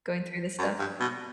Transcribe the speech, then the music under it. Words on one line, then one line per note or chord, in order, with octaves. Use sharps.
going through this stuff?
F#2
G2
B2